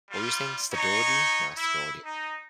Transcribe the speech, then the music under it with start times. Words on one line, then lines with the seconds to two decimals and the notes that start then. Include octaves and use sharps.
What were you saying, stability? Not stability
0.11 G3 F4
0.72 D#4 C#5
1.56 E4
2.04 D#4